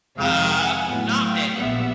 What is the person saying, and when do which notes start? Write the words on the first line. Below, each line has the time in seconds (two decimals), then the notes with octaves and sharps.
Ah, not many.
0.17 F2 C3 F3 G#3 F5 G5
0.52 F#5 G#5
0.87 A2 F#3 B3
1.22 F5 G5
1.56 A#1 A#2 G3 B3 E5 F#5